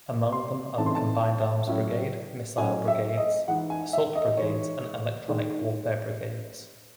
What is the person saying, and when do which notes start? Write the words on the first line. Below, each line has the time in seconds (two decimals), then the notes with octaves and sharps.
Among them are the combined-arms brigade, missile brigades, assault brigades and electronic warfare brigades.
0.32 C6
0.78 C#3 E3 A3 C4 D#4 A5
0.86 C6
0.95 A5
1.67 A2 F#3 C#4 E4
2.58 A2 F#3 C#4 E4 G#5
2.88 E5
3.17 D#5
3.48 E3 G#3 D#4 F#5
3.70 G#5
3.93 E5
4.15 D#5
4.37 E3 G#3 D#4 C#5
5.28 D#3 G#3 D#4